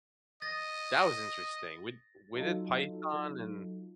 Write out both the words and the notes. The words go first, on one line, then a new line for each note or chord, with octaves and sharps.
that was interesting. We d we did python and
D#5 A6 A#6
F#3 D#4 F4 A4